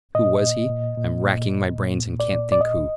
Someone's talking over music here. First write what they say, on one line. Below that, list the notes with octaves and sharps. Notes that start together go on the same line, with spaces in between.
Who was he? I'm racking my brains and can't think who.
A#2 D#5
A#2
A#2
A#2
A#2
A#2
A#2
A#2
D5
A#2
D5
A#2 D#5